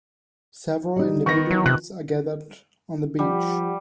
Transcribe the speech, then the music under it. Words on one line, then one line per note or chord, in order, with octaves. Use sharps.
Several individuals are gathered on the beach.
G3 D#4
D#3 B3 C#6 A#6
F#3
C3 F#6
F3 G3 G4 F#5